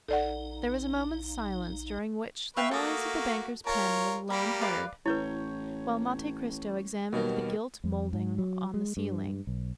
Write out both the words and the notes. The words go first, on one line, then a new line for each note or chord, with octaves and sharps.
There was a moment's silence, during which the noise of the banker's pen was alone heard, while Monte Cristo examined the gilt mouldings on the ceiling.
A#1 D#4 A4 D5 F#5
B4 E5 F5 G5 C#6
A3 A#3 F#4 A4 D#6
F4 A#4 C#5 A5
G3 A#3 A#4 B5
B4 D5 F5
A1 E4 B4 C#5 G6
D#2 B2 D#3 F#3 G3
F2
G#2
F#3
G#3
G2
B1